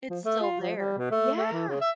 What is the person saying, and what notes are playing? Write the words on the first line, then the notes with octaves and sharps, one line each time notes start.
It's still there, yeah.
F3
A3
F4
F3
G3
B2
A3
A3
E3
C#3
E5